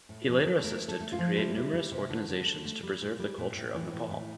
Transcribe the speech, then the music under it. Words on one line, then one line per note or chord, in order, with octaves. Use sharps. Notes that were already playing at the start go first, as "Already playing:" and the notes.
He later assisted to create numerous organizations to preserve the culture of Nepal.
A2
F3
A#4
F3
A3 A#4
A3
A4
A3
F4
F3
G3 E4
G3
G3
C3
D3
D3
D3
A3
G3
A#2
G3
A#2
A2
E3
A2
A2